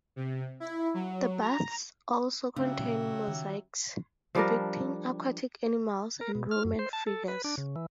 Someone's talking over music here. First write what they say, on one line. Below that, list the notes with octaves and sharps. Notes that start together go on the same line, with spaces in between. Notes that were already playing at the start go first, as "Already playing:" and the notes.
The baths also contain mosaics depicting aquatic animals and Roman figures.
C3
E4
F#3
A#5
C#3 F#3 A3 C4 D4 G4 E5
A#2
D#3
F3 G3 D4 A#4
A#4
B2
F6
F#2
C5
A5
A4
B4
D4
C#3
E3